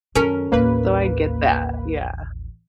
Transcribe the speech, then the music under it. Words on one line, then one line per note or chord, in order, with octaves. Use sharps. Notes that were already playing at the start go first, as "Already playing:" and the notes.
So, I get that, yeah.
F#2 D#3 C#4 A#4
A1 D#2 A#3 B4